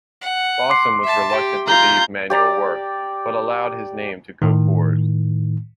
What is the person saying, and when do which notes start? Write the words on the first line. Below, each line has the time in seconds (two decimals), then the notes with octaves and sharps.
Lawson was reluctant to leave manual work, but allowed his name to go forward.
0.22 F#5
0.70 C6 D6 C7
1.03 E5 A5
1.32 G4
1.67 F4 A#5 G6
2.30 G4 D5 A#5
4.42 A2 D#3